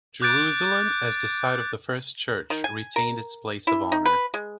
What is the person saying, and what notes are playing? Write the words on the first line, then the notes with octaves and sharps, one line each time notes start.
Jerusalem, as the site of the first Church, retained its place of honor.
D6 F#6 G6 A6 D7
D#3
G#5
A#4
E4
D#4
B4
G#3